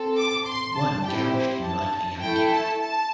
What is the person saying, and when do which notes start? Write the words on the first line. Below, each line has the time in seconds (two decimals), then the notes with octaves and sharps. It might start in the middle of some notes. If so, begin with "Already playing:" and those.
One gouged him like a Yankee.
Already playing: C4 A4
0.17 D6
0.46 C6
0.76 A5
1.05 C4 E4 G4 G5
1.34 C5
1.64 A5
2.21 A3 E4 A4 G5
2.51 A5
2.80 A5